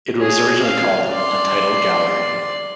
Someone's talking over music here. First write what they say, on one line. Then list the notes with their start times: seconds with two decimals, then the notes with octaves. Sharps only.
It was originally called Untitled Gallery.
0.19 G#4 C#5
0.62 C#4 F5
1.12 D5 C6